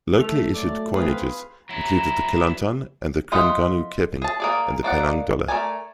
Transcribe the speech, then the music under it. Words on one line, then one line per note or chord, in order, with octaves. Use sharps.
Locally issued coinages included the Kelantan and Trengganu keping, and the Penang dollar.
A3 A4 E6 F7
F#3 A3 D5
C4 F4 G#4 B4 G#5
F#3 E4 A#5
F4 C5 D#5 E5 F#5
G#4 A5
A#3 G#4 D5
D#3 A#3 D5 F#5
A3 G#4 A#4 D5 G#5